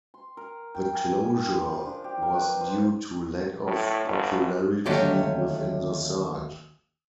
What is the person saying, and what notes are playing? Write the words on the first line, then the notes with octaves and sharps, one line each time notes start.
The closure was due to lack of popularity within the site.
C6
A#4
G5
G#5
G4
D6
F3
D4
G4
A#4
B4
F3
A2
G1
D#2 D3 F#3 A3 C#4 G4